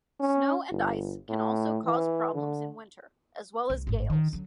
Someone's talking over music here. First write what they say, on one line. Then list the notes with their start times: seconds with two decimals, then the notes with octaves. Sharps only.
Snow and ice can also cause problems in winter, as well as gales.
0.20 C#4
0.71 G1
1.29 A2
1.85 E3
2.34 D3
3.70 C2
3.87 G#1 A2
4.10 D#3
4.33 D3 F#3